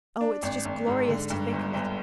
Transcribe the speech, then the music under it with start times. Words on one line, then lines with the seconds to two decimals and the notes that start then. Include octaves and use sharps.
Oh, it's just glorious to think of it.
0.21 D4
0.43 G#1
0.65 G#1
0.87 G#2
1.08 D3
1.30 G2
1.53 G1
1.74 G1